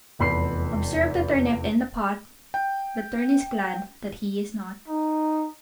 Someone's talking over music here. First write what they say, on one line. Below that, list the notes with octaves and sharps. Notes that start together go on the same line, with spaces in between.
Observe the Turnip in the pot. The Tern is glad that he is not!
F1 E2 B5 C6 C7
G5
D#4